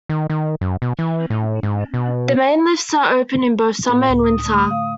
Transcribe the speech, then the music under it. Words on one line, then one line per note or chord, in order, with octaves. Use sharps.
The main lifts are open in both summer and winter.
D#3
D#3
F#2
B2
E3
A2
G#2
B2
A2 B3
C#2
D#6
D3 A3
F5